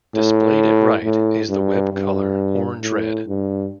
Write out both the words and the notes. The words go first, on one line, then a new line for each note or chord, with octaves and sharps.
Displayed at right is the web color orange-red.
A2
A2
G2
G2
A2
G2